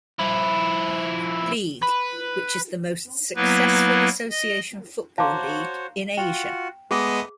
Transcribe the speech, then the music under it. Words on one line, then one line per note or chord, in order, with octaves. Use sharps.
League, which is the most successful association football league in Asia.
F3 E4
B4
F#3 A#3 B3 E4 B4
D#5
F#4 C5 C#5 F5 A5 A#5 C6 D6
F4 F#4 F#5 G5
G#3 A3 B3 G#4 B4 D#5